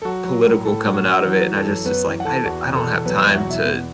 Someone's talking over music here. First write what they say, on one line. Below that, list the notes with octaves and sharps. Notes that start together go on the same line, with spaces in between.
political coming out of it, and I just it's like, I I don't have time to
A4
F#3 F#4
F#3
A2
A2 A4
F#3 F#4
F#3 F#4
E3 F#4
E3
A4
F#2
F#2 B3 B4
E3
F#5
E3 A4 A5
E2 F#4
B2
A4
E2
F#3 B3 B4
E2 E5
F#4 F#5
B2 E4 E5
E2 B3 B4